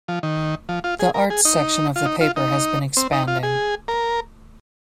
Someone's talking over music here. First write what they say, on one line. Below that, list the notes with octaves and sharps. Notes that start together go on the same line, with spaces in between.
The arts section of the paper has been expanding.
F3
D#3
F3
F4
G#4
A#4
G#4
D#4
F4
D#4
F4
D#4
C4
D#4
F4
G#4
A#4